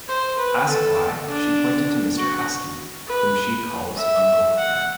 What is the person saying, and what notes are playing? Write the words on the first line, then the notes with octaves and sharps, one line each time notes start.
Asked why, she pointed to Mr. Haski, whom she calls Uncle Han.
C5
B4
A4
D4
F#4
B4
E5
F#5